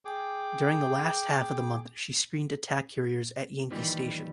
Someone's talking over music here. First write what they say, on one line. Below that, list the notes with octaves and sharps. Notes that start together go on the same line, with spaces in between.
During the last half of the month she screened attack carriers at Yankee Station.
G#4 G5 D6
F#2 A#2 D#3 E3 G3